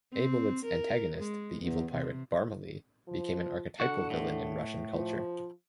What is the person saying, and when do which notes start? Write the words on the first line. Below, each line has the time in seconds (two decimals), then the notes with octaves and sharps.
Aybolit's antagonist, the evil pirate Barmaley, became an archetypal villain in Russian culture.
0.14 C4
0.65 A#4
1.18 G#3
1.63 E2
1.93 C3
3.08 F3
3.80 D3 F#4 F#5
4.10 A2
4.93 F3